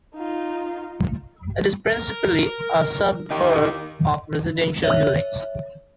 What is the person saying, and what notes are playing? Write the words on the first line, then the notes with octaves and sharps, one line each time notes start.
It is principally a suburb of residential dwellings.
D#4 F4
A#4
D#3 D#4 G4
C#5 E5